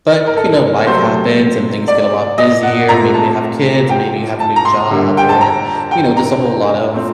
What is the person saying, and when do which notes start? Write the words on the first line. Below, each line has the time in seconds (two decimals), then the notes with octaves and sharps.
But, you know, life happens and things get a lot busier, maybe they have kids, and maybe you have a new job, or, you know, just a whole lot of
0.27 A#4
0.36 A4
0.87 C3 F#3 A3 C4 C5
1.88 D5
2.38 D#5
2.63 F#5
2.89 A#2 A3 C4 A#5
3.14 A5
3.89 G5
4.40 A5
4.56 A#5
4.65 C6
4.91 D3 G3 A#3
5.17 G5
5.29 A5
5.41 A#5
5.91 G5
6.17 A#5
6.92 A#2 A3 C4